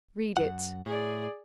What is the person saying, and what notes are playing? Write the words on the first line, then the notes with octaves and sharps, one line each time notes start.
"Read it."
F#2 E3 F#5
A2 G#4 D5